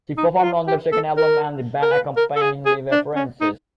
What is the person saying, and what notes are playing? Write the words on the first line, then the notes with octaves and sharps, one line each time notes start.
She performed on their second album and the band's accompanying live appearances.
D#4
F#4
F4
G4
A4
A#4
A#4
B4
A#4
A4
G#4
G#4
D4
C#4
D#4